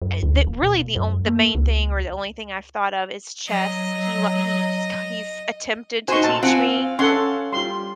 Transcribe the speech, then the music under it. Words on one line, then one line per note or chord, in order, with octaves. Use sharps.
eh, that really the onl the main thing or the only thing I've thought of is chess. He li he's ki he's attempted to teach me
F#2
D2
D#1
B2
F#2
A#3
C#2
F#3 D#5
D#4 F#4 C5 G#5 C6 C#6
A#2 A5
C4 F4 F#5 G#5
F5
C#4 A4 F#5 C6
G3 F4 C6